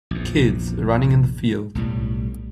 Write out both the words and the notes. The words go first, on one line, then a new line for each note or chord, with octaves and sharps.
Kids running in the field.
A#1 E2
B1 A2 G3